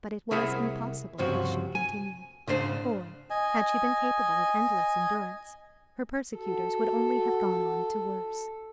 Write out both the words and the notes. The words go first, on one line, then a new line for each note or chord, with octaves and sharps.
But it was impossible this should continue; for, had she been capable of endless endurance, her persecutors would only have gone on to worse.
C2 E4 G#4 A#4 E5 F#5
C#2 G2 C3 F3 F#4
G#5
G#2 C#3 D4 C5
D#5 G#5
F#4 A4